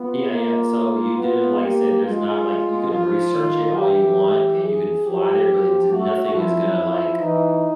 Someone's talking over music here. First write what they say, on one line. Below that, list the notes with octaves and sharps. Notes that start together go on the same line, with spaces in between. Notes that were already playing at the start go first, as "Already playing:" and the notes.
Yeah, yeah, so you didn't like I said, there's not like, you can research it all you want and you can fly there, but it d nothing is gonna, like,
Already playing: B3 F4
A#3
B3 F4
A#3 G4
G#3 F4
F3 F4
D#3
E3 G4
G#4
F3 G4
F3
A3 F#4
F3 E4
F3
E3 D#4